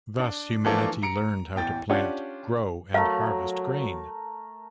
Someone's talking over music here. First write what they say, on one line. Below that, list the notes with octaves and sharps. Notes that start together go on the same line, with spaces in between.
Thus, humanity learned how to plant, grow and harvest grain.
D4
E3 F3 A3 A#3 D4 A4
A#5 C#7 D7
A1 E2 G5 A6
C#4 D4 F4 G4 D5 F#5
F#3 A3 A#4 F5